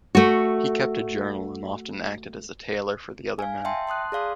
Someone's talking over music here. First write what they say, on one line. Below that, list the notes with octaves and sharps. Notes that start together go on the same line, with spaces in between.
He kept a journal and often acted as a tailor for the other men.
A3 F#4
F5 G#5
E5 G5 A5 C6
A5 C6 D#6 F#6
G#4 D5 F5 C6 D#6